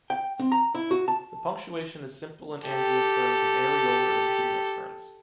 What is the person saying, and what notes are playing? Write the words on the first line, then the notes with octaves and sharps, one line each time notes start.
The punctuation is simple in angiosperms and areolar in gymnosperms.
G5
C4
A#5
E4
F#4
A5
G4 A4